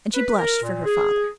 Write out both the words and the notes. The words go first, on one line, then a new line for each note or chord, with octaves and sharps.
And she blushed for her father.
B4
A#4
A#2
G#4